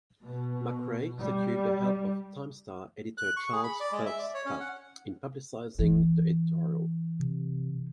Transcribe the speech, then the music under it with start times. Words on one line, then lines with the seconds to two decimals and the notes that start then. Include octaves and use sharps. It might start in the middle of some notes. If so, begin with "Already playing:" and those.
McRae secured the help of "Times-Star" editor Charles Phelps Taft in publicizing the editorial.
0.23 B2
1.19 G3
3.18 F#6
3.37 C#6
3.52 G#4
3.64 B5
3.80 D5
3.92 G#3
4.06 E5
4.19 D5
4.34 C#5
4.46 C#4
4.60 F#5
5.79 E3
7.20 C3